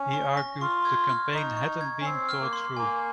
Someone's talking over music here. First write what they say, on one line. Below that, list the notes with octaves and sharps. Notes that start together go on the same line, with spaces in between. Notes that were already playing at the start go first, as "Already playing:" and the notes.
He argued the campaign hadn't "been thought through".
Already playing: C#4
C#6
A#6
F4 C#6
G#6
F6
D#4 C#6
C#6
G#6
C#4
C4 C7
F6
A#3
C6
A#3 G#5